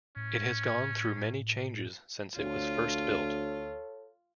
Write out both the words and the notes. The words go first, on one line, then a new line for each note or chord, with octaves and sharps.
It has gone through many changes since it was first built.
A2 C#4
D2 F4 A4 C#5